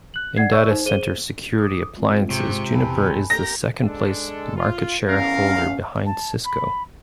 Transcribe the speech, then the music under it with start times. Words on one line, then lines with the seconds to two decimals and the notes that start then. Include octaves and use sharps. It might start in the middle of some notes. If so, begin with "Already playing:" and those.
In data center security appliances, Juniper is the second-place market-share holder behind Cisco.
0.14 F#6 F#7
0.37 D5 F#5 G#6 C7
0.52 D5 E5 C#6 E6
0.71 D#4 C5
0.86 G#4 C5 D#7 G7
1.58 D6 D#6
1.97 G#3 C4 F4
2.31 G#2 C3 C#6
2.72 E2 B2 G#5 A5 B5
3.30 G4 A#4 A#5 A#6
3.83 G#3 D4 A4
4.56 F4
5.08 E2 C#4 A#4 F5
6.06 A5
6.45 B5